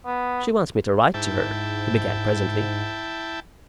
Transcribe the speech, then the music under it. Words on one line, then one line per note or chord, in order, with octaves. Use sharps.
"She wants me to write to her," he began, presently.
B3
G#2 E4 G5 A5